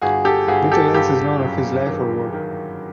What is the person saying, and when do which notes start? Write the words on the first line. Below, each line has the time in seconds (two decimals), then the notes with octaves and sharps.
Little else is known of his life or work.
0.01 G1 F#4 G#4
0.25 G4 A4
0.48 G1 F#4 G#4
0.72 G4 A4
0.94 G1 G4 A4
1.41 F#2
1.86 D#3
2.33 D#3